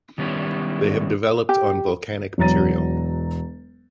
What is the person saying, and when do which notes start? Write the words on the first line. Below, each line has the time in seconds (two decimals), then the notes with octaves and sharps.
They have developed on volcanic material.
0.18 D#3 G3 B3 C#4 E4
1.49 G4
2.38 E1 F#3 A#5 A6 D#7